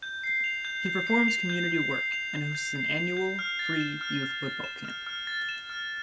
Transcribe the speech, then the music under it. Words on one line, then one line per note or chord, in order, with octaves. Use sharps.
He performs community work and hosts an annual free youth football camp.
G6
C7
F7
G6
G6
C7
F7
G6
G6
C7
F7
G6
G6
C7
F7
G6
F6
A6
E7
F6
F6
A6
E7
F6
F6
A6
E7
F6